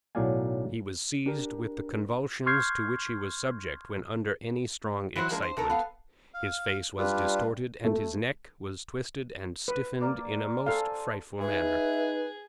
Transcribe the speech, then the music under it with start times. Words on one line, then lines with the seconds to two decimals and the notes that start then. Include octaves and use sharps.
He was seized with the convulsions to which he was subject when under any strong excitement, his face was distorted, and his neck was twisted and stiffened in a most frightful manner.
0.15 B1 A2 F#3 D5 F5 G#5
1.26 D4 G4 A#4
2.46 C6 C#6 F6 G6 G#6 C7
5.16 E3 F#3 E4 F#4 C5
5.30 F3 G#3 A#3 D4 A#4
5.42 C5
5.57 C3 A4 A#4
5.70 B3 F5
6.34 F5
6.98 G3 D4 F4 B4
7.84 A3
9.68 B4
10.01 A#3 A#4 D5
10.66 A4 C5 F5 G#5 A5
11.41 D#4 G#4 B4 E5